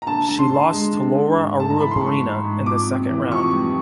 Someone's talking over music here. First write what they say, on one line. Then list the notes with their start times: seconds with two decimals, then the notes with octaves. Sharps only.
She lost to Lara Arruabarrena in the second round.
0.02 A#5
0.06 D3 A5
0.28 D3
0.39 C6
0.49 D3
0.72 G#3
0.93 D3
1.14 D3
1.37 G#2
1.58 A3 A5
1.70 A#5
1.80 E3 B5
1.91 C6
2.01 G#2 C#6
2.23 G#2
2.44 G#2
2.66 F2 D6
2.88 C3
3.09 E3
3.31 F2 C#6
3.52 G3